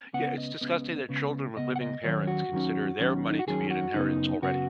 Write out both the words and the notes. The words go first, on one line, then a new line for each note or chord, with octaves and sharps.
Yeah, it's disgusting that children with living parents consider their money to be an inheritance already.
C#2 C#3 B3 F#5
D#5
C#2 C#3 B3
C#2 C#3 B3
C#2 C#3 B3 D#5
F#5
D#5
D#2 D#3 F#3 C#4 C#5
F#4
D#2 D#3 F#3 C#4
D#2 D#3 F#3 C#4
D#4
F#4
D#2 D#3 F#3 C#4 G#4
F#4
F#2 C#3 B3 D#4
F#2 C#3 B3 F#4